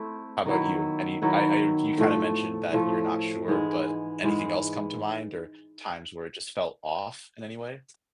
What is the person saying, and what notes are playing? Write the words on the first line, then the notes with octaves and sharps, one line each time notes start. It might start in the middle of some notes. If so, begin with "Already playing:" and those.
How 'bout you? Any I I heard you kinda mentioned that you're not sure, but anything else come to mind, or times where it just felt off in any way?
Already playing: A3 C4 E4
D#3 F#3 B3 E4
D#3 F#3 B3 E4
A2 F3 A3
A2 F3 A3
G#2 E3 G#3
G#2 E3 G#3